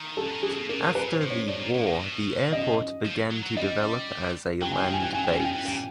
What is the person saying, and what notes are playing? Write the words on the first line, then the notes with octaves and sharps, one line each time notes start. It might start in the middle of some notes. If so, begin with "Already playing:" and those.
After the war the airport began to develop as a land base.
Already playing: D#3
A4
D3
D#3
E3 G#4
C3
B2
A#2 A#4
A#2
A#2 B4
C5
A2
C#5
A2 D5
A#2
A2
A2
B2
D#5
F3
F#3
F#3
G3 D#5
F#3 G5
F3 G#5
D#3 G5
G#5
E3 G5
F#3 G#5
E3 G5
G#5
D#3
G5
E3
A#2 G5